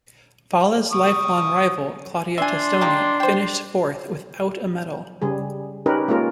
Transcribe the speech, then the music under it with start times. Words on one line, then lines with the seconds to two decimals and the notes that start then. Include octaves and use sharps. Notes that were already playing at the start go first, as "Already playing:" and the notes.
Valla's lifelong rival, Claudia Testoni, finished fourth, without a medal.
0.92 C#6 D#6
2.38 D4 E5 G#5 C6
2.81 G#3 A#3 G4
3.20 C5 G5
5.22 C#3 G3 G#4
5.86 C#4 D#4 G4 A#4 B4
6.08 G#3 A#3 C#4 F4 A#4